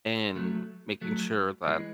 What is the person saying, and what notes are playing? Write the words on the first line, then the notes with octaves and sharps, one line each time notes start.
and making sure that
F#3 A3
F#3 A3
E3 G#3